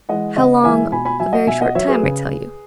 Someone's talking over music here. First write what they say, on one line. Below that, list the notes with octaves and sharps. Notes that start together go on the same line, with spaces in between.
'How long--a very short time, I tell you.
E3 G#3 D#5 F#5
C#3 D#5 F#5
E3 G#3 E5 G#5
B2 G#5 B5
G#5 B5
F#3 E5 G#5
D#5 F#5
B2 E5 G#5
D#5 F#5
F#3 C#5 E5
G#4 B4
C#3